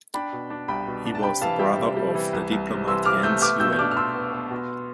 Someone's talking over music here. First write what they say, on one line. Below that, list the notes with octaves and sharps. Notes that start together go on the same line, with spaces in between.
He was the brother of the diplomat Jens Juel.
D4 G5 B5
B2
D4
C2 G5 B5
B2
D4
A5
C3 G5 B5
E3 F5 A5
G3 E5 G5
C3
G3
E3
C2
C2
C3
E3 C6 E6
C3 D6 F6
A3 E6 G6
B3 D6 F6
B2 E6 G6
G6
D4 D6 F6
F6
D4 C6 E6
B3
B3
B2